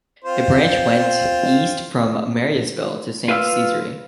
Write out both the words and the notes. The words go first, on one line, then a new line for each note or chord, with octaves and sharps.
A branch went east from Mariesville to Saint Cesarie.
C4 F4 C5
F4 B4 F5 E6 F6